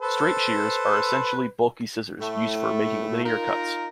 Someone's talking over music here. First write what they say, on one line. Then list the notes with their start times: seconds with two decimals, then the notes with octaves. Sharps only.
Straight shears are essentially bulky scissors, used for making linear cuts.
0.01 A4 B4 C5
2.21 A2 A3
3.24 D#4 F4 A#4